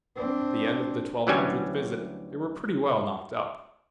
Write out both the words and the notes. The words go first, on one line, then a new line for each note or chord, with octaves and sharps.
At the end of the twelve-hundredth visit they were pretty well knocked up.
C4 D4
D2 E3 F#3 G3 C#4 G#5